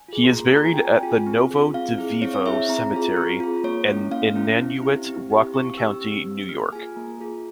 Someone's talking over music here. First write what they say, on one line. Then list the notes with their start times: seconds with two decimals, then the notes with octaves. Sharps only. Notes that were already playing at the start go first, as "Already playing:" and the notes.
He is buried at the Novo-Diveevo cemetery in Nanuet, Rockland County, New York.
Already playing: G#5
0.08 F4 G#4
0.24 C6
0.32 A#3 A#5
0.56 F4 G#4 A#5
0.65 G#5
0.74 G5
0.79 C4 G#5
1.03 F4 G#4
1.27 C4
1.51 F4 G#4
1.74 C4 F5
1.98 E4 G#4
2.22 C4 C#5
2.34 C#5
2.46 E4 G#4 E5
2.69 C4 A#5
2.93 F4 G#4
3.16 C4
3.40 F4 G#4
3.64 A#3 C#5
3.88 C#4 E4
4.11 A#3 F5
4.36 C#4 E4
4.59 C4
4.83 E4 G4
5.06 C4
5.30 E4 G4
5.54 C4 C#6
5.78 G4 E6
6.01 C4
6.25 G4
6.49 A#3 F6
6.72 F4 G#4 G#5
6.96 A#3 A#5
7.20 F4 G#4